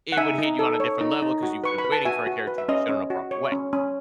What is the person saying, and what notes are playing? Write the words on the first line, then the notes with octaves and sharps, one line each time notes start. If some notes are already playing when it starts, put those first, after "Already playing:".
it would hit you on a different level 'cause you've been waiting for a character to be shown in a proper way.
F#5
D#4 E5 G#5
D#4
A4
C#5
D#4
D#4
F#4
B4 C#6
B5
B4
A5
F#4 E5 G#5
F#4
B4
E5
C#4 D#5
C#4
F#4
C#5
C#4
C#4